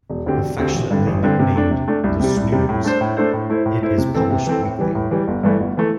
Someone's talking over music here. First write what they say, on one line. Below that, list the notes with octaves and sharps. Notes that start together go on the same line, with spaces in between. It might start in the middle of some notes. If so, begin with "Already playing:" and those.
Affectionately nicknamed "The Snooze", it is published weekly.
E1
D2 D3 C4 G4
E1
D2 D3 C4 G4
A1
G2 D3 C4
A1
G2 D3 C4
C3
A3 D4
C3
A3 D4
C2
C3 G3
C2
C3 G3
A2
A3 D4 A4 C5
A2
A3 D4 A4 C5
A2
A3 E4 C5
A2
A3 E4 C5
C3
E3 C4 A4
C3
E3 C4 A4
A2
E3 G3
A2
E3 G3
G1
G2 E3 A3
G1
E3 A3